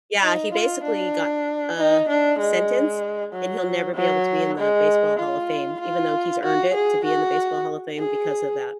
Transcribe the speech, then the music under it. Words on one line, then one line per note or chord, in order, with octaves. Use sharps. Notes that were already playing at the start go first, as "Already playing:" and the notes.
Yeah. He basically got a sentence, and he'll never be able to be in the Baseball Hall of Fame even though he's earned it to be in the Baseball Hall of Fame because of that.
D#4
F4
D4
D#4
D4
G#3
F#3
F#3
G#3
F4
F4
F#4
G#4
F#4
G#4